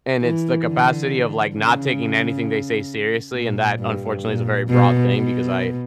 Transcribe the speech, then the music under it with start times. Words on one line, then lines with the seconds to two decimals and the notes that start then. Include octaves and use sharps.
And it's the capacity of, like, not taking anything they say seriously, and that unfortunately is a very broad thing because I
0.22 E3
0.66 D3
1.56 C#3
3.35 A#2
3.79 G2
4.24 A#2
4.69 B2
5.14 B2